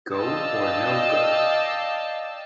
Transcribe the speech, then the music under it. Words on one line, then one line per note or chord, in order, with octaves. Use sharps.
Go Or No Go?
D5 D#5 F5 G5 A5 E6